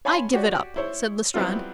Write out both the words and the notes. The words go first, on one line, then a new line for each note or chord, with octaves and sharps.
"I give it up," said Lestrade.
C#5 F5 G#5 A5 B5 C6
F#4 G4 C#5 D5
E4 C5 C#5
F#3 G3 B3 C4 E4 F4